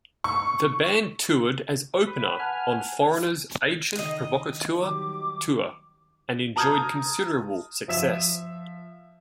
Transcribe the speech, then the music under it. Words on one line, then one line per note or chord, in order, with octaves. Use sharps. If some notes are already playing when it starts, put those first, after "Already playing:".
The band toured as opener on Foreigner's "Agent Provocateur" Tour, and enjoyed considerable success.
C#6
B4
F#5 G#5 A5 F6 F#6
D#3 D#5
D#3 F#3 G3 D6
A5 A#5 D#6 F6 G6 G#6
F3 E5 E7